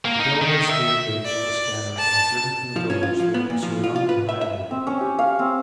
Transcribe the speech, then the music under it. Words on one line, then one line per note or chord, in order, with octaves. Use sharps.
The Delawares knew that if they were scattered and driven from the village they would be surrounded and annihilated.
A#3
D#4
D#3
E5
D5
A5
F3
C#4
F4
F3
B3
A#2
F3
F4
F4
B4
E5
E5
C4
C#4
G4
F5
C4